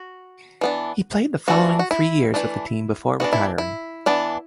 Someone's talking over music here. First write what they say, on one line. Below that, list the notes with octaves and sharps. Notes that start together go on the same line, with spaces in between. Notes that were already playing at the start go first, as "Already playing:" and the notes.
He played the following three years with the team before retiring.
Already playing: F#4
E3 B3 D4
E3 A3 D4 F#4
F#4
E4
E3 A3 D4 E4
E3 B3 D4 F#4
E4
E4
E3 B3 D4